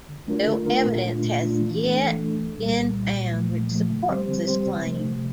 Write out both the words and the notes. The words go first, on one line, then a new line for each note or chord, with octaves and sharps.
No evidence has yet been found which supports this claim.
D3
A3 D4 F4 A#4
D3
A3 D4 F4 A#4
A#2
A3 D4 F4
A#2
A3 D4 F4
E3
A3 D4 A4
E3
A3 D4 A4
C2
A#2 G3
C2
A#2 G3
A#2
F3 A3
A#2
F3 A3
D3
G3 C4 G4 C5
D3
G3 C4 G4 C5
C3
F3 A3
C3